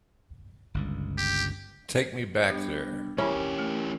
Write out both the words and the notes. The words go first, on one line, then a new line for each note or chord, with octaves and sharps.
Take me back there.
G1 C#2 G2
G4
G3 B3 D4 G4
E3 C#4 E4 G4 A#4 E5 B5
A3